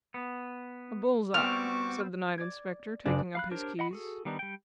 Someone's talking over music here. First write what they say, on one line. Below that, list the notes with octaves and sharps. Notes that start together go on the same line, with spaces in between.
'A bull's-eye,' said the Night-Inspector, taking up his keys.
B3
G3 B3 C4 F#4 C#6 D6 F6
D5 G#6
F#1 D4 G#4 D5
F5 B5 F#6
D4 G4 A#4 C5 C#5
D#5 F#5 B5
F#4 G#4 A4
D#3 G3 B3 D4 D#4
G3 G5